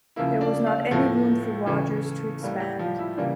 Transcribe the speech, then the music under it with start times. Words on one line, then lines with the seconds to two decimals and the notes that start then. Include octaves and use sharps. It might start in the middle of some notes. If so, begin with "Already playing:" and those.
There was not any room for Rogers to expand.
0.16 C#3 F3 A#3 E4
0.41 D4 D5
0.66 F4 F5
0.91 A2 F3 A3
1.66 C#3 E3 A3
2.42 A2 G3 A#3
2.60 G3 G4
2.79 F3 F4
2.98 E4
3.17 C#3 E3 G3 A#3 D4